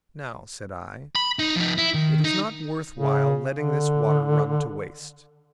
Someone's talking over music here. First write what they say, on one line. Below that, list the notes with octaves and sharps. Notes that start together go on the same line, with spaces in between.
"Now," said I, "it is not worth while letting this water run to waste."
B5
D#4
F3 D#4
E4
D#3
D#4
C#3
D3